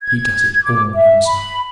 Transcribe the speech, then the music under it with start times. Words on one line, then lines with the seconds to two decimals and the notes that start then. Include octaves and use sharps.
He does it all himself.
0.03 G#6
0.64 D6
0.94 E5
1.26 B5